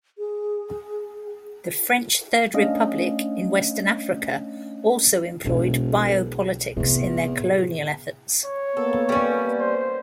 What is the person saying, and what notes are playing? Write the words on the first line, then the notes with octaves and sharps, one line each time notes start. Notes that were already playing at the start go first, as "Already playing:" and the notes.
The French Third Republic in Western Africa also employed biopolitics in their colonial efforts.
G#4
A3 C#4 D4 D#5 F5
E1 B1 D#4
E2 A2 C3
C#5
A#3 B3 A4
G3 C#4
C5